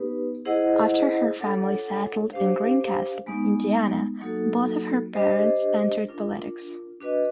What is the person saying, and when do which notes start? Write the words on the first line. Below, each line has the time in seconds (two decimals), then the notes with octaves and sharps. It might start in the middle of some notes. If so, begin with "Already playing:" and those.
After her family settled in Greencastle, Indiana, both of her parents entered politics.
Already playing: B3 D#4 G4 B4
0.45 E4 G#4 C5 D#5 F#5
1.39 D4 F4 A4 C#5 F#5
2.32 D4 G4 C5 F5
3.26 G#3 B3 D#4
4.20 F#3 A#3 D#4 F#4 A4
5.13 D4 G4 C5 D#5
6.07 D4 F4 A#4
7.00 D4 F#4 B4 D#5